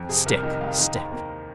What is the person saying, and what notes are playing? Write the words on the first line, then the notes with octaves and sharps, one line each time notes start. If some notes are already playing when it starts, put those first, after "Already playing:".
'Stick, stick!
Already playing: F2
C3 G#4
C2 A#4
D#3 D#5
G#3 F5
D#3
D#2
A#3